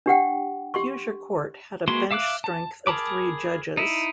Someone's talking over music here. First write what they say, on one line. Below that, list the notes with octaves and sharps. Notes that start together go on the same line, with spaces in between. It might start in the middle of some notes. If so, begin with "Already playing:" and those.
Huzur Court had a bench strength of three judges.
D4 G4 F#5 G5
G4 C6 C#6
G#3 A#3 F#4 B4 C6
E5 F5 D6 D#6 F#6
A5
G#4 A#4 A5 B5 D6
D#4 E4